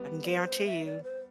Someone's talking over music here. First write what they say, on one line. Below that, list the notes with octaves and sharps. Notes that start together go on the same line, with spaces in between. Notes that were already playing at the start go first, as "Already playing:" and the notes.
I can guarantee you,
Already playing: G3 B3
D5
C5
E5
D5
C5